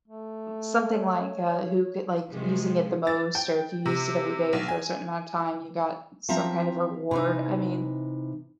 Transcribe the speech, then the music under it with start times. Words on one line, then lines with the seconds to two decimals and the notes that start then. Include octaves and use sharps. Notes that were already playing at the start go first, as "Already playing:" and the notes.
something, like, uh, who could like, using it the most or if you used it every day for a certain amount of time, you got some kind of reward, I mean,
0.08 A3
0.89 C#5
2.29 C3 D#3 F3 G#3
3.07 A6
3.35 G5
3.86 C3
4.53 B1
4.68 G#5
6.29 F3 C4 E5 A#5
7.11 C3 E3 D#4